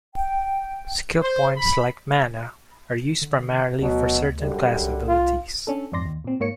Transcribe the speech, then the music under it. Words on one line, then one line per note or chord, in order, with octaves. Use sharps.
Skill points, like mana, are used primarily for certain class abilities.
G5
C5
B5
D3
D2 B2 F#3
F#2 D3 G3
C2
F4
C#4 D4 A4
F2 G#2 D5 C6 A#6
D#2
A#2 C4
G#2 A#3 C#5 C#7